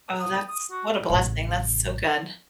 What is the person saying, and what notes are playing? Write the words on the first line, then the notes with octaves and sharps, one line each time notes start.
Oh, that's what a blessing, that's so good.
D#6
D#6
F#4
A1 C#3